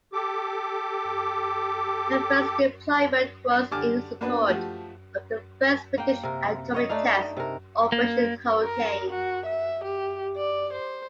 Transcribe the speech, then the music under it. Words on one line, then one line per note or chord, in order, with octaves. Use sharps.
Her first deployment was in support of the first British atomic test, Operation Hurricane.
G4 A4 D6
D3 G4 G#5 A5 D6 F6
A#3 B3 D4 F#4 B4
F3 A3 F#4 G4
A#3 G5
C3 A#4
C#5 D#5
A3 D4 D#4 F5
C3 A#4
A#3
A#4
F#4
E5
G4
D5
C5